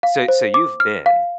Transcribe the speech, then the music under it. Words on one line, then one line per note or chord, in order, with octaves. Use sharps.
so so you've been
F5
C5
D6
F6
F5